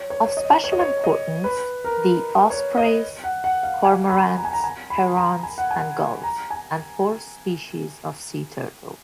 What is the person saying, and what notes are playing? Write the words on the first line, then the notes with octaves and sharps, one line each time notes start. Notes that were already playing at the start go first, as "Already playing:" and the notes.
Of special importance: the ospreys, cormorants, herons, and gulls-and four species of sea turtles.
Already playing: C#5
C#5
C#5
D#5
C#5
D#5
C#5
D#5
B4
A#4
C#5
D#5
F#5
F#5
F5
G#5
B5
A#5
G#5
A#5
G#5
B5
A#5
G#5
F#5
G#5
A#5
G#5